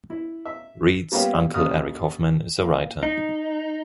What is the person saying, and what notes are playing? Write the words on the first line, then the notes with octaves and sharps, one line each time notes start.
Reid's uncle Eric Hoffman is a writer.
E4
E5
G3 A#3 B3 C#4 F4 G4
D#2 C#3 D#6 F6
A#3
D#4